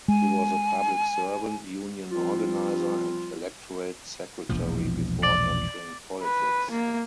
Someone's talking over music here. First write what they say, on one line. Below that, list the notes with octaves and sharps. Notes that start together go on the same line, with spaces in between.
He was a public servant, union organiser and electorate secretary before entering politics.
G#3 G#5
F3 G3 C4 F4
E1 A#1 F3
D5
B4
A#3